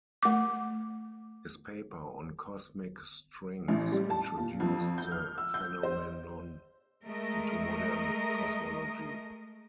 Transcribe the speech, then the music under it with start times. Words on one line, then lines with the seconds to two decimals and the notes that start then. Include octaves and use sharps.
His paper on cosmic strings introduced the phenomenon into modern cosmology.
0.23 A3 D6
3.68 A1
3.92 G3
4.10 A5
4.37 A#2
4.60 F2
4.98 G6
5.11 F6
5.38 E6
5.54 G6
5.83 C5
7.05 G#3 A3 A#4 D#5